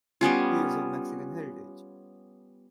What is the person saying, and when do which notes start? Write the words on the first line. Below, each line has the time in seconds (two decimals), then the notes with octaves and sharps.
He is of Mexican heritage.
0.21 G3 B3 C#4 F4